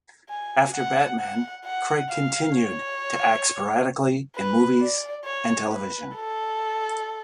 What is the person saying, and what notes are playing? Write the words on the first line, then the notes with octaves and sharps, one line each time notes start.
After "Batman", Craig continued to act sporadically in movies and television.
G#5
F#5
F#5
F#5
F5
C#5
B4
D5
C#5
B4
A4